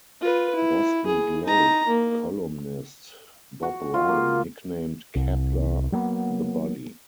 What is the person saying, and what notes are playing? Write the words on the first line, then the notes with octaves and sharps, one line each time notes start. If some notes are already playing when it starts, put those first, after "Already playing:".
Boston Globe columnist Bob Ryan nicknamed Kapler The Body.
F4 B4
E4
G#4
D#4 A#5
A#3
F#4
F4
A#3
C2
F#3 G3 A#3 B3